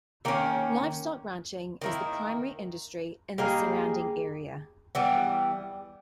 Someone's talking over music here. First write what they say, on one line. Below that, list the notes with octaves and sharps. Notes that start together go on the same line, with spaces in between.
Livestock ranching is the primary industry in the surrounding area.
D#3 A#3 C#4
D#3 A#3 E4
G3 A#3 D#4 G#4
E3 G3 B3